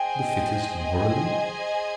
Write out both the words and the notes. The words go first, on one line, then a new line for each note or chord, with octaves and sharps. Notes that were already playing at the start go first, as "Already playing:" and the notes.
The fittest morally?
Already playing: G#4 C5 D#5 G5 G#5